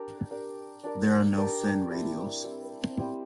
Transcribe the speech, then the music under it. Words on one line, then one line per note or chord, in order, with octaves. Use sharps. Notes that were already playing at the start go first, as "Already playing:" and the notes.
There are no fin radials.
Already playing: D4 G4 A#4
D4 G4 A#4 D5
D4 G4 A#4 D5
D4 G4 A#4 D5
G3 C4 E4
G3 C4 E4
G3 C4 E4